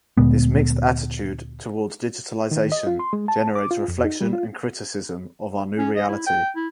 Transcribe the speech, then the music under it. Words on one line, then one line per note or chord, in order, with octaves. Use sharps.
This mixed attitude towards digitalization generates reflection and criticism of our new reality.
D2 A#2 G#3 B3
D#3
D#5
F4
C6
G#3
A5
D6
F4
F2
D#4
G3
F4
C#4
D#5
E4
G5
E4